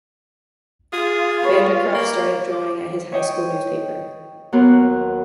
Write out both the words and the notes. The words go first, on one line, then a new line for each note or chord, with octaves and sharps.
Van der Kroft started drawing at his high school newspaper.
F4 G#4
B4 C#5 B5
A#3
D6
C#5 D#5 G5
D#2 F#3 B3 A#4 C6 F#6